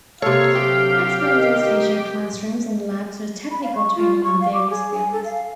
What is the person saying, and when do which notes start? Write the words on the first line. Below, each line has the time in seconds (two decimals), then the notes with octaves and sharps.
Its buildings feature classrooms and labs for technical training in various fields.
0.22 C3 A#3 A4 C#5 F5
0.55 D2 F#3 G4
1.33 D#2 A#4 D#5
3.51 B5
3.63 F5
3.75 C#6
3.96 F4
4.24 C#6
4.41 F5
4.53 D6
4.70 G#4
4.94 G#5
5.12 A4
5.25 F5